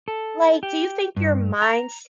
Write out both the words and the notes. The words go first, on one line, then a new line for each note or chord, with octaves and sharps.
Like, do you think your minds
A4
G4
G2
A#5